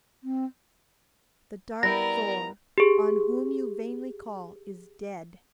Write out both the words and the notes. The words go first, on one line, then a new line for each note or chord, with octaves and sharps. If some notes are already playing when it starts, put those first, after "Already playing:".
The dark Thor, on whom you vainly call, is dead.
C4
G3 B3 E4 A#4 G5 A#5 A#6
G4 G#4